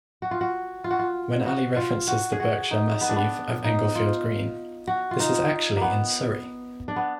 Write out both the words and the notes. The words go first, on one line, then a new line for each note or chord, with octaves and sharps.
When Ali references the Berkshire Massiv of Englefield Green, this is actually in Surrey.
F#4
F4
F#4
F4
F#4
F4
F#4
F4
F#4
G#4
F#4
D#4
B3
D4
B3
D#4
F4
F#4
F4
D#4
A#3 B3
D4
B3